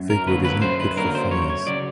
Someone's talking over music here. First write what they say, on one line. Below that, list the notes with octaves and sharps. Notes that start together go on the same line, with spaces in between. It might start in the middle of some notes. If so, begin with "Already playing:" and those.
Fig wood is not good for fires.
Already playing: F#2
A#4
D3 F#3 A#3 B4
B4
F#2 C5
B4
D3 F#3 A#3 A#4
C5
F#2 C#5
C#5
C#3 F#3 D5